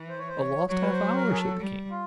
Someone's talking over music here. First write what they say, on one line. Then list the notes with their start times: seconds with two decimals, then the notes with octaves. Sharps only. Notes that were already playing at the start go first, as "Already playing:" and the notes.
"A lost half-hour?" said the King.
Already playing: E3
0.09 C5
0.19 C#5
0.28 C5
0.39 C#5
0.69 F#3 C#5
0.83 B4
0.91 C5
1.15 A#4
1.31 G#4
1.37 A4
1.60 G3
1.91 F4